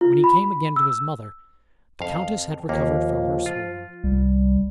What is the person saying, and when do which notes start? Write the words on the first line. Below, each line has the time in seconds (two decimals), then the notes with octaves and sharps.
When he came again to his mother, the countess had recovered from her swoon.
0.01 F4
0.24 B5
0.76 E6
2.01 F2 F5
2.69 D#2 F3 A#3
3.46 F4
4.04 C2 G3